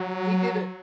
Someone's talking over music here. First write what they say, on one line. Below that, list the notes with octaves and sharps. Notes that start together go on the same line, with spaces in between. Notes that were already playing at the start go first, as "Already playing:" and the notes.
He did it.
Already playing: F#3